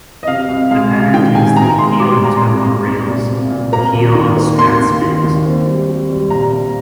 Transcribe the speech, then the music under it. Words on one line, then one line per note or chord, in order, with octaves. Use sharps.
The pattern tends to be heel-and-toe on reels, the heel on strathspeys.
D#5
C3 F5
C2
G#3 F5
G#3
D#3 G5
C3 G#5
G#3 A#5
G#3 C6
G3 D6
C6
A#2 A#5
C6
C2
C2
C2
A#2
C2
A#2
A#3 A#5
D#2
D#3
A#3
D#2 C6
D#2
D#3
D#2
C4
G3
G3
G3
A#2 A#5
A#2